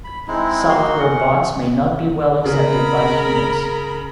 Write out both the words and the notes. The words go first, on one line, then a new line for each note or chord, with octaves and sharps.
Software bots may not be well accepted by humans.
B5
G#3 C4 D#4 E4
A#3 D#4 F#4 C6
C#4 F#5
C#3 A#4 B5